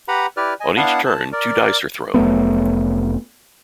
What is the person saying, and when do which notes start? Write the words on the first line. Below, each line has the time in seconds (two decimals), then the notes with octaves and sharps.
On each turn two dice are thrown.
0.08 G4 B4 F#5 A#5 B5
0.37 E4 G4 B4 D5 F6
0.60 D#5 G#5
0.77 B3 D4 E4 F5 F#5 A5
1.06 A5
1.32 A#4 D5
2.14 F1 F#3 A3 B3